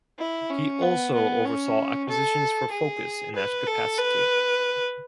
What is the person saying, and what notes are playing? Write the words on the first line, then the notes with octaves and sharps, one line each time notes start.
He also oversaw acquisitions for Focus in that capacity.
E4
C#4
B3
B3
C#4
A4
G#4
B4
A4
B4